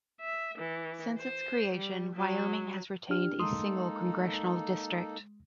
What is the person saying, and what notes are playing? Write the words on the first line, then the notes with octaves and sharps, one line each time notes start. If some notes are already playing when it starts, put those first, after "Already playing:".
Since its creation, Wyoming has retained a single congressional district.
E5
E3
C5
G3
F#3
D4 G4 F6
G#3 A#3 D#4 A4 C6 D#6